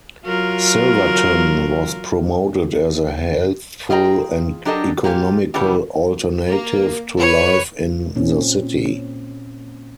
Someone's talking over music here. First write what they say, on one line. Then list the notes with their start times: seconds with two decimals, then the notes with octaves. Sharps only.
Silverton was promoted as a healthful and economical alternative to life in the city.
0.24 F#3 F4 A#4
3.90 F4 G#4 D#5 G5 A#5
4.65 F#3 D4 G4 A4 A#4 D#5
5.04 A#2 G4 F5 G#5
5.54 C#3 E3 F3 B3 G4
6.49 A#3
7.19 B4 C#5
8.15 A#2 C4 C#4